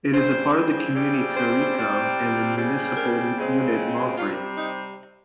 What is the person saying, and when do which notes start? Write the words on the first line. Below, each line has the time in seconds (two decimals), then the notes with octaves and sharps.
It is part of the community Kareika and the municipal unit Movri.
0.14 C#3 G3 C4 C5
0.95 C#3 G3 C4
1.35 C5
1.76 C3 G3 C4
2.56 C#3 G3 C4
2.96 A#4
3.37 C#3 G#3 C4
4.17 C3 G3 C4 F4
4.57 D#4